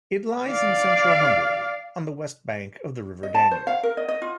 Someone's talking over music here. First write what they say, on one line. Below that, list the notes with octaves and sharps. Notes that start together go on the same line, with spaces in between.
It lies in central Hungary, on the west bank of the river Danube.
D5 F5
D#5
A5
C5
F5
A#4
D#5
D#5
F4